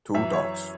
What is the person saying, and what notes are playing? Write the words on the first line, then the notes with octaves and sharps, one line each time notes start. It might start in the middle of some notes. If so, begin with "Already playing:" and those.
Two dogs.
F#2 E3 E5
C#5